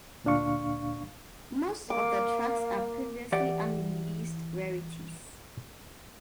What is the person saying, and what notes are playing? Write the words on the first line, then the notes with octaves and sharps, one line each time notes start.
Most of the tracks are previously unreleased rarities.
D2 A#2 D4 F5 C#6
A#3 F5 D6
E3 G4 D5 F#5